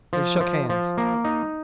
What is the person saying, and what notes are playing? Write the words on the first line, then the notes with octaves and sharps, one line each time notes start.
They shook hands.
F3
F3
F3
A#3
D#4